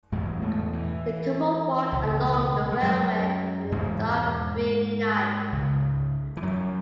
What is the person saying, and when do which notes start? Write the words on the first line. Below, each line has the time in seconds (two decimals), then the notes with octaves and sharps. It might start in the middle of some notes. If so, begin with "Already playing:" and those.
The couple walked along the railway on a dark rainy night.
0.12 E2 G#2 B2 G#3
0.42 A2 A3
0.73 E3
1.92 C#2 B2
2.72 G#3
2.82 F#2 F#3
3.72 E2 G#2 B2 G#3
5.52 C#2 C#3
6.37 E3
6.42 F#2 F#3